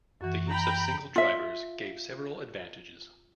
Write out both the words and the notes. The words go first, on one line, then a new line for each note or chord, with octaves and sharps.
The use of single drivers gave several advantages.
F#2 E3 F#4
G5 A#5 B5
F4 E5